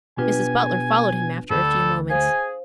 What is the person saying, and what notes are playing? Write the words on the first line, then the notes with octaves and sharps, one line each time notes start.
Mrs. Butler followed him after a few moments.
B2 D4 F4 G4 B4 G#5
D2 G2 G3 A4
G#4 C5 F5 G#5